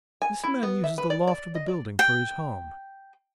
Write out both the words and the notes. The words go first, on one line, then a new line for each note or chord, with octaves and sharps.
This man uses the loft of the building for his home.
G#5
E4
B3
E5
B4
D5
D5
D#5
D5
G5